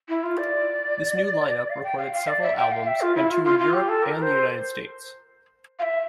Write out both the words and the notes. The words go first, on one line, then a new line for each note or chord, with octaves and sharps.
This new line-up recorded several albums and toured Europe and the United States.
E4
F4
D5
F5
G5
F5
F5
D5
E5
G5
F5
E5
F4
E4
F4
F4
F4
G4
A4
A#4
C5
F5
E5